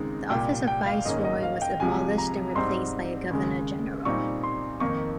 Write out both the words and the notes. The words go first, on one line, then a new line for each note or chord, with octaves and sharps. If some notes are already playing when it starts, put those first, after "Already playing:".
The office of Viceroy was abolished and replaced by a Governor-General.
Already playing: D#2 C#3 G#3 C4 D#4
C2 A#2 G3 G5
G5
F5
G#2 D#3 A#3 C#4 D#5
D#5
F5
G5
C2 C3 F3 G#3 G#5
A#5
G#2 G3 C4 D#4 C6
D#2 C#3 G#3
A#2 G3 C4 D#4 C#6
C6
F2 D#3 A#3 D#4 C#6